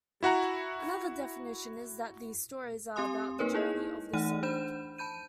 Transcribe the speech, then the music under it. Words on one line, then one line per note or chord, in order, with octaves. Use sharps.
Another definition is that these stories are about the journey of the soul.
E4 F#4 F#5 A#5
C4 G4 G#5 C6 D#6
A#3 D#4 A#4 B4 C#5
D#4 E4 G#4 D#5
E3 A3 D#4 F#5 F6 D#7
D4 C5 B5 G6 E7
A5 B5 G6 D#7